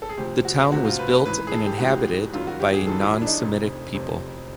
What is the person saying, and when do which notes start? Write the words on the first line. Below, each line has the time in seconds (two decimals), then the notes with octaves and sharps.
The town was built and inhabited by a non-Semitic people.
0.02 A4
0.09 G#4
0.17 D2 C3 F3 G4
0.45 F#4
0.72 D2 C3 F3 F#4
0.85 F4
0.99 B4
1.11 B4
1.25 A1 G#2 E3 B4
1.47 G#4
1.52 A4
1.66 G4
1.78 A1 G#2 E3 F#4
1.90 G4
2.33 G1 F#2 D#3 F#3 F4
2.47 F#4
2.60 G4
2.74 G#4
2.87 G1 F#2 D#3 F#3 A4
3.00 E4
3.14 E4
3.22 D4
3.27 D#4
3.41 F1 F2 C3
3.94 F1 F2 C3